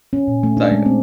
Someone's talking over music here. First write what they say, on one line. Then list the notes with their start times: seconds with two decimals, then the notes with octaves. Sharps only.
Sorry, go ah
0.13 C#4
0.28 A#2
0.43 A3
0.57 D4
0.71 G#3
0.86 C4